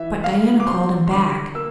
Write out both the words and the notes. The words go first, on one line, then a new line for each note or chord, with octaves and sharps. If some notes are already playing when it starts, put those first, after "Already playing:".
But Diana called him back.
Already playing: E3 E5
A3 F5
D6
C4 C6
C6
D3 D6
A#3 E6